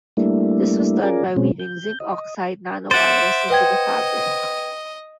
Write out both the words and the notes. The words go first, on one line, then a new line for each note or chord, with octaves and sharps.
This was done by weaving zinc oxide nanowires into the fabric.
G3 A3 A#3 D4 E4
C#4 F4 G#4 A#4 D5
B2 G#3 C4 C#4
G6
D#5
C5 E5 F#5 D6 A6
B4 D#5 G5 G#6